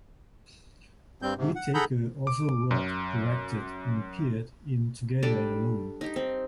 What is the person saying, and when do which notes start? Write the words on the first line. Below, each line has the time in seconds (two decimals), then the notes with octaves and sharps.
Whitaker also wrote, directed and appeared in "Together and Alone".
1.22 G2 G3 C4 G6
1.37 G#2 C3
1.55 F#5
1.74 G#4 A4 F#5 A#5 B5 G6
2.27 D6
2.71 F#2
5.23 G3 D4 A4 D5
6.01 D#4 G4
6.16 C4